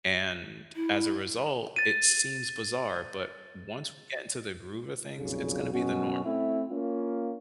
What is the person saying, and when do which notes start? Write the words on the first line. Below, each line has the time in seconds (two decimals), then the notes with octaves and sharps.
and as a result, it seems bizarre, but once we get into the groove of things, it's gonna be the norm.
0.75 E4
1.76 A6 D#7
5.18 B1 F2 A#2 C#3
5.72 F#2 B2 C#4 F#4
6.24 A3 C4 E4
6.69 A#3 C#4 F4